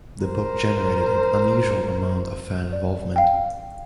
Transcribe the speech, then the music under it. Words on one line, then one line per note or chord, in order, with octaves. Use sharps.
The book generated an unusual amount of fan involvement.
A#4 C5
D5
F5 G5